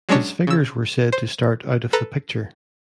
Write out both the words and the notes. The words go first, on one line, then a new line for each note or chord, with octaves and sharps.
His figures were said to start out of the picture.
F#3 G#3 C#4 D4 C#5
C#3 E6
C5
A4 B4 A#5